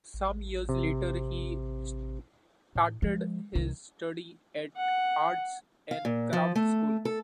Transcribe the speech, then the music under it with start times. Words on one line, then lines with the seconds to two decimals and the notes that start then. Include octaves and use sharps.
Some years later he started his studies at Arts and Crafts School.
0.14 A1
0.69 C3
2.75 A2
3.02 F3 G#3
3.55 C2 D#3
4.76 F#5
5.91 F5
6.05 A#2
6.33 F3
6.55 A3
7.05 A4